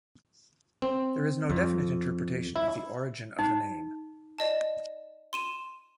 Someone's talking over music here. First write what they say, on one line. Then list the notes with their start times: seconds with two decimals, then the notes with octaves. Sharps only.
There is no definite interpretation of the origin of the name.
0.82 C4
1.50 F2
2.56 E4
3.39 D#4
4.38 D5 D#5 A5
5.33 C6 D#7 E7